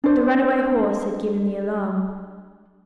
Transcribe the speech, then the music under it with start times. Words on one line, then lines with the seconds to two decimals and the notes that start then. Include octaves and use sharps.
The runaway horse had given the alarm.
0.04 D4 C5